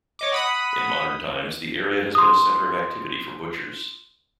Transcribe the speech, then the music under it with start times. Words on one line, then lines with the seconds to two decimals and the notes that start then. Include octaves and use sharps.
In modern times, the area has been a center of activity for butchers.
0.19 C#5 D#5 D6
0.32 F#5 B5 D#6
2.15 C6 D#6